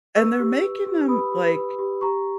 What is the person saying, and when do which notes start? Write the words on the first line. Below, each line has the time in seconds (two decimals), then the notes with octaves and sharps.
And they're making them, like
0.15 B4 C#6 E6
0.40 G4
0.63 B4
0.86 G4
1.08 B4 B5 D#6
1.32 G4
1.55 B4
1.79 G4
2.01 G4 A#5 C#6